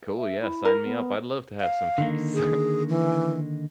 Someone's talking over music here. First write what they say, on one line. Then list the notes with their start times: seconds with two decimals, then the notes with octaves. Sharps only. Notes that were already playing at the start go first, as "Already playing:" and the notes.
Cool. Yeah, sign me up, I'd love to have some peace.
0.17 E5
0.41 E4
0.65 A#4
0.84 B3
1.60 F5
1.98 D3 D#3 A#3
2.34 G#4
2.89 E3